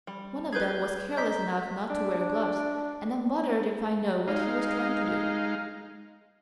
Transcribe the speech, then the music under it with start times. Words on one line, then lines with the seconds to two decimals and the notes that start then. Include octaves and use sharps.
One of them was careless enough not to wear gloves, and I'm bothered if I know what he was trying to do.
0.07 G3
0.53 G#4 B4 G6 G#6
1.17 D#5 A#5 D6 G6 B6
1.90 D4
4.28 G#3 D#4 F5